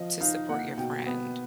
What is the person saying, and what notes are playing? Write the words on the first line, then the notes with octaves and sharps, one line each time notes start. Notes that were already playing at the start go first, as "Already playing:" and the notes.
to support your friend.
Already playing: F3 D#5
D#4 F5
A#3 F#5
B2 G5
B3